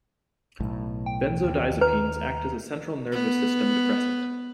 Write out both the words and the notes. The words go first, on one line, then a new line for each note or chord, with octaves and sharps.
Benzodiazepines act as a central nervous system depressant.
B1 A2
G5
D#2
B4 A#5
B3